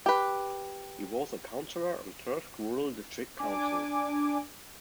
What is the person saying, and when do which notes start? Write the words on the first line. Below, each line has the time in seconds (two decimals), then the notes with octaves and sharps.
He was a councillor on Thirsk Rural District Council.
0.06 G4 B4
3.39 D4 G#5 D6